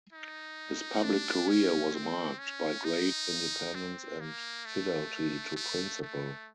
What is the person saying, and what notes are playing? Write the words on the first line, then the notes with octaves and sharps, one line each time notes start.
His public career was marked by great independence and fidelity to principle.
D#4
D4
C#4
C4
C#4
D#4
C4
A#3
A3
A3
A3